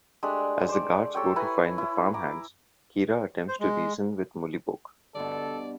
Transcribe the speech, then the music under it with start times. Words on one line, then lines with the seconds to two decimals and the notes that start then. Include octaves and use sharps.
As the guards go to find the farmhands, Kira attempts to reason with Mullibok.
0.23 G#3 A3 D4 G4
0.69 C5 D5
1.15 G4 A4 C#5 G5
1.36 E4 B4 G#5 A#5
1.78 E4
2.14 A#5 D6
3.48 C5
3.60 G#3
5.15 G2 B2 D3 A4 D5